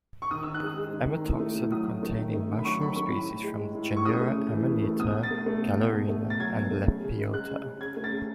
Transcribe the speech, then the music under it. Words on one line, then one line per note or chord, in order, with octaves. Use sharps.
Amatoxin-containing mushroom species from the genera "Amanita", "Galerina" and "Lepiota".
C#6
D#3 D#6
E6
D#3
F#6
G#3 D#6
G#3
D#3
D#3
A2
A3
A2
F#3 D#6
A2
A3
D#3
A3
D#3
B5
F#3 C#6
D#3 B5
A3 C#6
A2 B5
A2
G#3
G#3
A2
A2
C#6
C#3 D#6
A3
C#3
E3
C#3
A3
B2 D#6
B2
A6
A3
A3
B2
B2
B2
A3
B2
A6
F#3 G#6
B2
A3
C#3
C#3
G#3
G#3 F#6
C#3
C#3
C#3 G#6
A3
A6
C#3